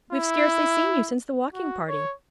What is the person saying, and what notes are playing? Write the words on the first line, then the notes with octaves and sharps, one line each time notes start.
We have scarcely seen you since the walking party.
E4
F#4
C#5